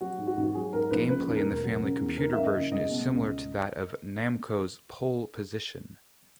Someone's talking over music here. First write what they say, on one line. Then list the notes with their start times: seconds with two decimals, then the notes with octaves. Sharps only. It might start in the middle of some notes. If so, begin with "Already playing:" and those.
Gameplay in the Family Computer version is similar to that of Namco's "Pole Position".
0.01 F#3 F#4
0.18 G#2
0.27 F#4
0.37 G#1
0.44 F#4
0.55 F#3 G#4
0.73 G#2 A#4
0.90 A#1 B4
1.09 C#3 B4
1.27 D#2
1.36 A#4
1.45 E1
1.63 F#3
1.81 C#3
1.99 E2
2.17 D#3 A#4
2.33 F#2 E5
2.45 D#5
2.54 F#1
2.72 G#3 D#5
2.90 B2
3.08 C#2